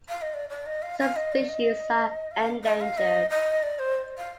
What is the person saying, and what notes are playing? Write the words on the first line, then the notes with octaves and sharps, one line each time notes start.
Some species are endangered.
F5
D#5
D5
D5
D#5
F5
F5
D#5
D5
D#5
F5
D#5
F5
D#5
D#5
D5
C5
F5